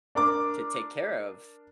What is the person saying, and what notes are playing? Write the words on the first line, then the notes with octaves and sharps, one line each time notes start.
to take care of
D4 A#4 D6